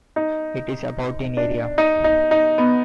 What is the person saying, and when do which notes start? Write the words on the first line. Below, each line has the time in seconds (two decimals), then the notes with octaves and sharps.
It is about in area.
0.16 D#4
1.37 D4
1.78 D#4
2.04 D#4
2.31 D#4
2.58 B3